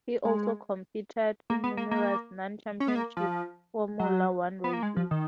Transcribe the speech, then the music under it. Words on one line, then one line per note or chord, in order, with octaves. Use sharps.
He also competed in numerous non-Championship Formula One races.
G#3
A#3
B3
A#3
A#3
C#4
B3
A#3
F3
F#3
B3
A#3
G#3
F3
D#3